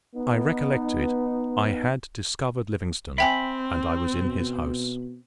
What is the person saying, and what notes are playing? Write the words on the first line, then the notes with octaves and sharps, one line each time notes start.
I recollected I had discovered Livingstone, and I was in his house.
B3 D#4
C4 E5 G5 G#5 B5
B2